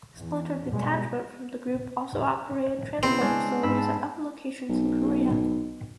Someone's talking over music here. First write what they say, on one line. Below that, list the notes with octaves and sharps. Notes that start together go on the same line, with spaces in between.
Splinter detachment from the group also operated transport facilities at other locations in Korea.
E2
B2 G3 G#3
C#3 B3 C4 E4
G#3 C#4 D4
G#2 B5 E6 B6
A5
B1